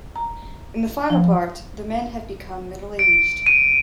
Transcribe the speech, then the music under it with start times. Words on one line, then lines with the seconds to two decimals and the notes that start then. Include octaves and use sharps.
In the final part, the men have become middle-aged.
0.16 A#5
1.10 F3
2.99 D7
3.46 D#7